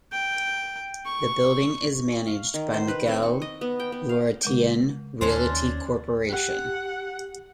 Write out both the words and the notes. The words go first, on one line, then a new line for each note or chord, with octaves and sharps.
The building is managed by Magil Laurentian Realty Corporation.
G5
C#6
F5
D#3
C5
B4
C4
C#6
D#5
B3
G5
B3
F5
C#3 G#3 G6
D#2 C#4 D4 C5
G4 F#5